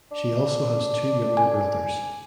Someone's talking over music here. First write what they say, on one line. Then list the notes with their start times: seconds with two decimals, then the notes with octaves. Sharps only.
She also has two younger brothers.
0.11 D4
1.37 G#5